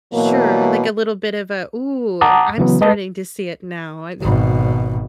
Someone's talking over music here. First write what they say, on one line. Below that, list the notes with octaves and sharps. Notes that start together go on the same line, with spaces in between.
Sure, like a little bit of a, "Ooh, I'm starting to see it now, I think
B2 E3 F#3 A#3
F#5 A5 A#5 D6 D#6
C#3 E3 F#3 B3
G#3 B4 D#5 A5
G#1 B2